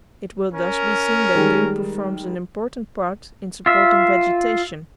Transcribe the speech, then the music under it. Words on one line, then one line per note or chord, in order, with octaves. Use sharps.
It will thus be seen that dew performs an important part in supporting vegetation.
C#4 A#4
D#3 G3 G#3
F4 E5